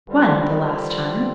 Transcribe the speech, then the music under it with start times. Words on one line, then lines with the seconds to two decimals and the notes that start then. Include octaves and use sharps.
"One, the last time."
0.06 G2 D3 G3 C4 F4